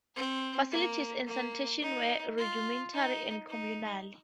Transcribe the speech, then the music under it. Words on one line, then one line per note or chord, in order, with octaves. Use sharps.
Facilities and sanitation were rudimentary and communal.
C4
A#3
A#3
D#4
F4
D#4
D#4